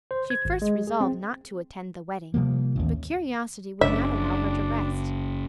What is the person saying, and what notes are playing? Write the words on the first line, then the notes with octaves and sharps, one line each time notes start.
She first resolved not to attend the wedding, but curiosity would not allow her to rest.
C5
G#6
G#1
G#3
G#4
C4
C3 F3 G3 A#3
A1 D#2
F#1 C#3 D4 E5